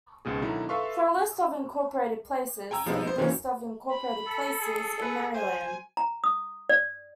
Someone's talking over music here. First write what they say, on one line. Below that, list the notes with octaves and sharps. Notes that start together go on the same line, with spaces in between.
For a list of incorporated places, see List of incorporated places in Maryland.
C#2 G#2 B2 G#4
B2 D3 D#3 F#3 D#4 E4
A4 B4 E5 F5 C6 C#6
G5 G#5 A#5 E6
B2 F3 G3 G#3 B3 D#4
B3 C5
D#3 E3 F#3 A#3 C#4
B5
A4
G#4
G#4 B4
C5 G#5
A#5
D#6
D5